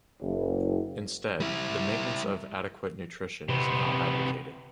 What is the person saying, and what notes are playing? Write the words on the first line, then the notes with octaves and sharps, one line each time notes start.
Instead, the maintenance of adequate nutrition is now advocated.
F#1
G3 E4
C3 B3